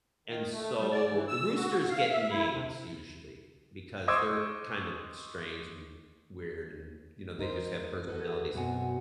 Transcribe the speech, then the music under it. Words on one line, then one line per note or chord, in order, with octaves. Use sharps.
and so, the roosters get names usually, because they're kind of strange and weird, and, you know, they just have personalities.
D#3
A3
G3
D5
E3
E6
F#4
F5
E5
E4
C3
C5 D#5 C#6 D6 E6 G#6
F2 D#4 A#4 C5
F#4 G#4 A4 B4
F#2 B2 F#3 C4 F#5 G#5